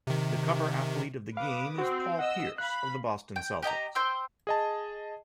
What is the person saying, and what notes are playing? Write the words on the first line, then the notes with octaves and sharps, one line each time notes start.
The cover athlete of the game is Paul Pierce of the Boston Celtics.
C3 D#3
B4 F5 D6 D#6
C4 F#4
D#5 F#5 E6
F5 B5 F#6
G5
G4 D#5 G5 A#5
C5 G5 E6
G#4 D#5 A5